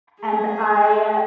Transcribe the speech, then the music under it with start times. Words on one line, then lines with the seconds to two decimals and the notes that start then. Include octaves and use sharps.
and I
0.21 G#4